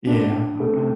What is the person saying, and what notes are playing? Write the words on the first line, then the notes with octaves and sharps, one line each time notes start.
Yeah. I'm not
D4
A3